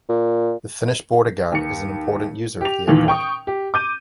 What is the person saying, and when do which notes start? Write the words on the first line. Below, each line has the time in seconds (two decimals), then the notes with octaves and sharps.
The Finnish Border Guard is an important user of the Airport.
0.09 A#2
1.52 D#2 C#7
2.61 G4 F7
2.87 D#2 A#2 D#3 E3
3.08 G5 C#6 D#6
3.47 G4
3.74 D6 G6 D#7